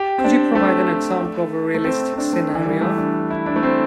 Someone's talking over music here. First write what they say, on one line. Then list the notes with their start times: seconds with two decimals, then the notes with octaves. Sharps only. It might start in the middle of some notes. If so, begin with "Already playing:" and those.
Could you provide an example of a realistic scenario?
Already playing: G4
0.18 C4
0.24 D4
0.55 A3
1.74 A3
1.84 C4
2.01 C4
2.13 C4
2.18 D4
2.33 A3
2.55 E3
2.66 G3
2.81 A3
2.97 D4
3.30 E4
3.46 D4
3.56 A3
3.63 C4